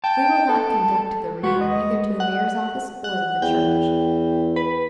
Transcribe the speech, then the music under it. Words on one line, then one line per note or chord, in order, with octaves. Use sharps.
We will not conduct the reader either to the mayor's office or to the church.
G5 A5
A4
G#3 F#4 B4
D#5
F#5
F#5
E2 G5
B4